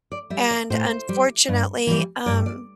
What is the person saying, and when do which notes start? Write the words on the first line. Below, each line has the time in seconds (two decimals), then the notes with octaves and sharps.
and, unfortunately, um,
0.12 D5
0.30 G3 E5
0.51 D5
0.70 A2 C5
1.09 G3
1.48 G2
1.87 E3 G3
2.26 G2 D5
2.46 D5